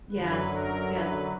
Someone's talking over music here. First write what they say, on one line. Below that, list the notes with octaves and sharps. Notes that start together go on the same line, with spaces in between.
Yes, yes.
F#2 D3 F#3 B4
A#4
B4